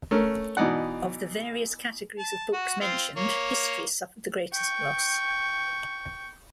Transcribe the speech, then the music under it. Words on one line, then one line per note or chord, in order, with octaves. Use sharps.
Of the various categories of books mentioned, history suffered the greatest loss.
A3 C#4 A#4
B2 E3 D#4 D5 F#5
A5
F#4
C4 F4
A#3 C#5
G5 C#6